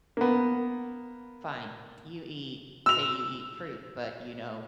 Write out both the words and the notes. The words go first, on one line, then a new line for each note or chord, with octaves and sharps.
fine. You eat say you eat fruit, but you know,
A#3 B3
E6 F7